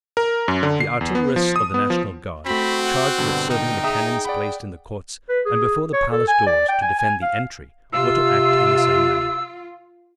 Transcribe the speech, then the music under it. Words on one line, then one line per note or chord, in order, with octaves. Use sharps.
The artillerists of the National Guard, charged with serving the cannons placed in the courts and before the palace doors to defend the entry, were to act in the same manner.
A#4
F#2
D3
C7
E2
B3
F3
D#6
B3
F3
A3 C4 F#4 B5 B6
F#5 F#6
G2 B2 D3
D#4 G5
G#4 E5 A#5 D#6
D5 F#5 B5
B4
G#4
C#5
A4
G#5
D5
G5
G#5
G#5
F5
C3 F4 E6